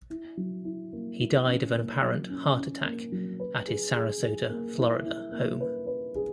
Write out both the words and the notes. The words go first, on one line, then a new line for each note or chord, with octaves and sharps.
He died of an apparent heart attack at his Sarasota, Florida, home.
E4
F#3
E4
A#3
E4
C#4
A#3
F#3
C#4
C#4
A#3
F#3
B4
G#4
G#4
G#4
A#3
E4
E4
A#3
B4
B4
G#4